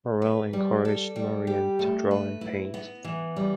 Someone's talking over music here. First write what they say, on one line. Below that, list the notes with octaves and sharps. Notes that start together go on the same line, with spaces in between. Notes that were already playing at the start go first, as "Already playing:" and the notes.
Marrel encouraged Merian to draw and paint.
B4
G3
A4
G3
G4
A3
B4
E4
B3
E3
G3